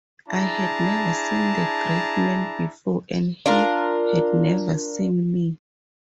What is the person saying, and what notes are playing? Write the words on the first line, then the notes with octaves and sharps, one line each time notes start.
I had never seen the great man before, and he had never seen me.
D4 E4 G#4 A5 A#5
D4 F4 A#4